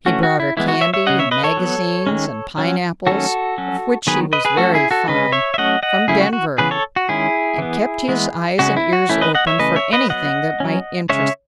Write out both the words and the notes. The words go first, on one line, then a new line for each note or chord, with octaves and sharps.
He brought her candy and magazines and pineapples--of which she was very fond--from Denver, and kept his eyes and ears open for anything that might interest her.
E3 A3 C#4 F#4
F#4
E4
E3 G#3 B3 E4
F#4
C#5 E5
C#5 E5
C#3 G#3 C#4 D#5 F#5
C#5 E5
B4 D#5
A4 C#5
F#3 B3
D#3 G#3 C#4
F#3 C#4
D#3 F#3 A3 C#4 F#4 A4
F#3 C#4
D#3 F#3 B3 G#4 B4
B4 D#5
G#4 B4
F#3 A3 C#4 F#4 A4
E4 G#4
F#4 A4
C#3 G#3 C#4 B4 D#5
C#5 E5
E5
F#3 A3 C#4 D#5 F#5
D#5 F#5
C#3 F#3 A3 C#4 E4 G#4
F#4
F#4
C#3 E3 B3 G#4 B4
A4 C#5
F#4
D#3 G#3 C#4 E4 G#4
E3 B3
E3 G#3 B3
C#3 G#3 C#4 F#4
E4
F#4
E3 A3 C#4 E4
B4 D#5
D#5 F#5
C#5 E5
C#3 E3 A3 C#4 B4 D#5
C#5 E5
B4 D#5
F#3 B3 D#5 F#5
F#3 C#4
C#3 G#3 C#4 C#5 E5